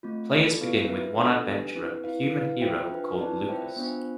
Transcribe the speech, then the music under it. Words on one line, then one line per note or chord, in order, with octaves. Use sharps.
Players begin with one adventurer, a human hero called Lukas.
A3 C4 F4
F4 A4 D5
B3 E4 B4 F5
F4 B4 E5
B3 D4 A4
D4 G4 B4
C4 E4 B4
E4 B4 F5
E4 B4 F5
F4 C5 E5 G5
D4 F4 B4
C4 E4 B4 D5 A5
F4 C5 E5 G5
B3 D4 F4 C5